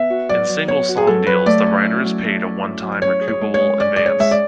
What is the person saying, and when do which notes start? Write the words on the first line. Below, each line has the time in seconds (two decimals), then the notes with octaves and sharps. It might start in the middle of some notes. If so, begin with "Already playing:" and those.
In single song deals, the writer is paid a one-time recoupable advance.
Already playing: B3 E5
0.10 F#4
0.29 F#3 D5
0.49 F#3
0.68 B3 C#5
0.89 F#4
0.97 G#4
1.07 F#3 A4
1.26 F#3 B4
1.46 A3 D5
1.66 C#4
1.85 E4
2.04 F#3
2.25 A3
2.44 C#4
2.63 E4
2.82 F#3
3.02 C#4 C#5
3.21 G#4
3.28 C#5
3.41 G#3
3.54 C#5
3.60 G#3
3.80 C#4 D5
3.96 G#4 D5
4.06 C#5
4.19 G#3 E5
4.31 D5